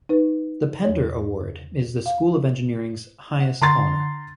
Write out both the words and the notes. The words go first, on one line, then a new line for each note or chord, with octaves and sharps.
The Pender Award is the School of Engineering's highest honor.
D#4 B4
E2 C#5
F5
F#5
D3 A#5 C6 A6